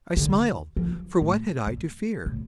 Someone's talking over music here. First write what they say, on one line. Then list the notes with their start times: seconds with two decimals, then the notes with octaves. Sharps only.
I smiled,--for what had I to fear?
0.17 D3
0.77 F3
1.21 A2
1.67 A#2
2.26 A2